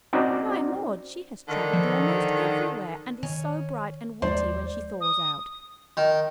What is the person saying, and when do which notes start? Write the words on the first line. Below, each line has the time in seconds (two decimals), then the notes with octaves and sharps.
Why, Maude, she has travelled almost everywhere--and is so bright and witty when she thaws out.
0.13 C4 C#4 D#4 F#4 C5 D5
1.48 D3 D#3
1.73 F3
3.23 D#3 C#4
4.22 D#2 F3 G#3 C5 D5
5.01 D#6
5.97 D#3